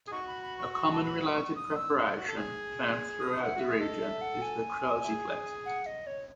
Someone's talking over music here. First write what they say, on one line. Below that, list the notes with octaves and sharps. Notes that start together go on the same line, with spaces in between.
A common, related preparation found throughout the region is the Croziflette.
G#4
D#4 F#4 C#6
B5
B5
C#6
C#6
B5
A5
B5
C#6
D#6
E6
E4
F#4
A4
G#4
D#6
D#4
E4 F#5
F#4 E5
G#4
A4 D#5
E5
F#5
G#5
E4 G#4
F#5
D#5
C#5